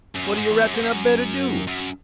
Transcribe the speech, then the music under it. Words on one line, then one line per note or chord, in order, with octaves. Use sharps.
What you reckon I better do?
F#2
G#2
E2
F#2
G#2
F#2
F#2